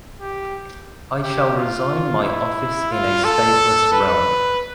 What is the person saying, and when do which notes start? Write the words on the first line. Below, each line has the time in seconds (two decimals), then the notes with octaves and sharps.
I shall resign my office in a stateless realm.
0.21 G4
1.23 G4
1.56 F4
2.24 E4
2.92 F4
3.25 A4
3.93 B4